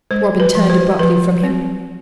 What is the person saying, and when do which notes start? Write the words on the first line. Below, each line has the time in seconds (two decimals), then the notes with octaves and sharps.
Robin turned abruptly from him.
0.11 G#3 C5
0.40 B4
0.55 F3
0.70 C5
0.99 F3 B4
1.43 C4